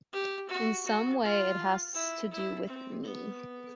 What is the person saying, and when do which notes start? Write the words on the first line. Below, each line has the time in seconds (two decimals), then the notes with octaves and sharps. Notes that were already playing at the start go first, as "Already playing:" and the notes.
In some way it has to do with me.
0.12 G4
0.49 F#4
0.86 F#4
1.22 F4
1.94 E4
2.32 E4
2.67 C4
3.04 B3